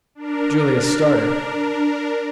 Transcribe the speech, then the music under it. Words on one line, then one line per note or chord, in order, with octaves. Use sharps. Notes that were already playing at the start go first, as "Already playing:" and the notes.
Julius started.
D4 A#4